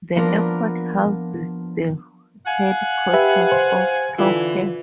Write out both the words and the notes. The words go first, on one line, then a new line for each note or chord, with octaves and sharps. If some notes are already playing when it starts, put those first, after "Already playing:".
The airport houses the headquarters of Propair.
F3 A#3 B3 D4 F4 A#4
F5 F#5 G#5
G4 B4 E5
C5
D3 E3 F4